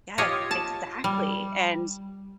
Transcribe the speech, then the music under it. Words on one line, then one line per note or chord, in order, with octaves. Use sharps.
yes, exactly, and
F4 G4 C#5 D#5
A5
G3